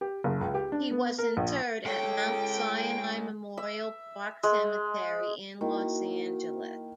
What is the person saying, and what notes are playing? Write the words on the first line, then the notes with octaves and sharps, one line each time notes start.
He was interred at Mount Sinai Memorial Park Cemetery in Los Angeles.
G4
F#1
C#2
G4
D4
B3
A#4
A#1
G#3 A4 C#5 G5
E5
G#3
D#3 A#3 E4 F#4